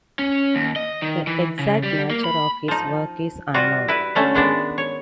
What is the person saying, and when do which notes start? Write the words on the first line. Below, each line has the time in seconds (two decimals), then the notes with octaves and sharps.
The exact nature of his work is unknown.
0.19 C#4
0.55 D#2
0.76 D#5
1.02 D#3
1.27 E3
1.59 C#3
1.83 G3
2.10 A#3
2.24 B5
2.68 F3 D#4
3.54 G3 F4 F#4
3.88 E4 B4
4.15 D3 A3 C#4
4.35 D#3 G#3 B3 D4
4.78 C#5